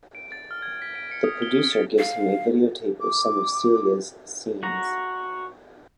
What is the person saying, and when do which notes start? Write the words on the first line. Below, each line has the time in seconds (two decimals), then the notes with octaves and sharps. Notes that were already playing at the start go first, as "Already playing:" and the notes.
The producer gives him a videotape of some of Celia's scenes.
0.15 D7
0.32 A6
0.51 F6
0.62 G#6
0.82 B6
0.95 D7
1.11 C#7
1.24 D#6
1.42 G7
1.59 D#6
1.73 A6
1.99 F5
3.00 D6
4.63 F#4 A#5